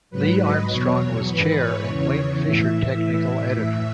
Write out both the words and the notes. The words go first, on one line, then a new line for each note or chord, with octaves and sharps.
Lee Armstrong was chair and Wayne Fisher technical editor.
G#2 F#3 B4
D#5
E2 B2 F#3 C#5
C#5
G#2 E3 B4
C#5
E2 C#3 E3
C#5
A2 E3 E5